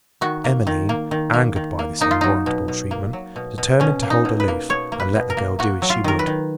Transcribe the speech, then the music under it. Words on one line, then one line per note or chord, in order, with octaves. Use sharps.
Emmeline, angered by this unwarrantable treatment, determined to hold aloof, and let the girl do as she would.
D#3 F#4
A#3
D#3
A#3
D#3
A#3
D#3
A#3
A#3 D#4
F4
F#3 D#4
B2
B2
A#3
F#3
B2
B2
B2 C#4
A#3
D#4
B2
B4
A#3
B2 C#5
A#3
B4
B2
A#4
A#3
A#3 F#4
F#3
F4
D#3 A#4
B4
D#3